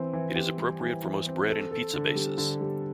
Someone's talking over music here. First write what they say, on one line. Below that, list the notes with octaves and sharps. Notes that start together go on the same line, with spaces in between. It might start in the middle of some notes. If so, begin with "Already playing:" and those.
It is appropriate for most bread and pizza bases.
Already playing: E3 C4
E3
G4
G3
E3
E3
C4
A4
A4
D3
G3
D3
G3